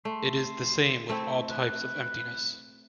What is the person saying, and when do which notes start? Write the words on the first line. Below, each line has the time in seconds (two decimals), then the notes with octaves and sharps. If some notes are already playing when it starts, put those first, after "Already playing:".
It is the same with all types of emptiness.
0.05 A3 C6
1.09 A3 C4 E4
1.49 B4